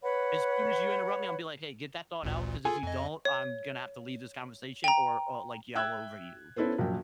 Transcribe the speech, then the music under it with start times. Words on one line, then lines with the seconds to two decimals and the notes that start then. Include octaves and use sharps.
As soon as you interrupt me, imma be like, "Hey, get that thought out, 'cause if you don't, I'm gonna have to leave this conversation or or, like, yell over you."
0.02 B4 C#5 F#5 B5
2.23 A1 D2 A#2
2.65 F4 G#4 A4 G#5
2.83 F2 D#5
3.25 C#5
4.84 G5 A#5
5.75 E5 G5 E6 F#6 G#6
6.56 B3 C#4 E4 A4 B4 C5
6.78 A#1 F#2 G5